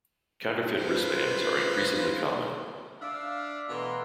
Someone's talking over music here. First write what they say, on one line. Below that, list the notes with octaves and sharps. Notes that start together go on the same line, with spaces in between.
Counterfeit wristbands are increasingly common.
F4 B4 C5
D4 D5 E5 F5
B2 E3 A3 A#4 B5 C6